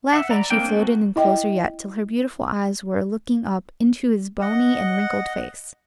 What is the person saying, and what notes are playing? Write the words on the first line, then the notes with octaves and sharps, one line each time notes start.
Laughing, she floated in closer yet, till her beautiful eyes were looking up into his bony and wrinkled face.
E5 F#5
D5 A#5 B5
G#3 A#3 C4 D4 G5
A3 A#3 C4 F#4 A4
E4 D#5 G5
D#5 F#5